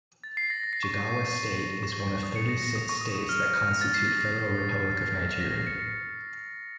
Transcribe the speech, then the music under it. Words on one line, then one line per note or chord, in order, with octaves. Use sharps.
Jigawa State is one of thirty-six states that constitute Federal Republic of Nigeria.
A6
C7
A#6
A#6
C7
C#6
C#6
C#6
C#6
C#6
D#6
C#7
A#6
A#6
D#6
C#6
D#6
D#6
F6
F6
A6
C7
A#6
C7
C7
C7
A#6
C7
C#7
C7